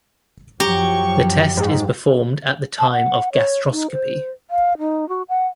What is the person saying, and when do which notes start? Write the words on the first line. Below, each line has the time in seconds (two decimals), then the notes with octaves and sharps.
The test is performed at the time of gastroscopy.
0.60 F#2 F3 F#3 G4 A#5 C#6
1.57 G#2
2.79 A5
2.91 F#5
3.33 C#5
3.72 D#4
3.92 C5
4.50 F5
4.79 D#4
5.09 F#4
5.29 F#5